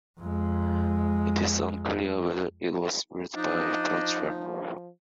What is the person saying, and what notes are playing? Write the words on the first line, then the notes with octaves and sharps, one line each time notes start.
It is unclear whether it was ruled by Brochwel.
F2 G#3
F3 D4 D#4 D#5